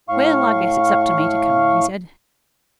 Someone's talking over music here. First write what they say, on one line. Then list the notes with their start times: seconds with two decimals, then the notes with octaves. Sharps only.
"Well, I guess it's up to me to come," he said.
0.09 A2 F5 C#6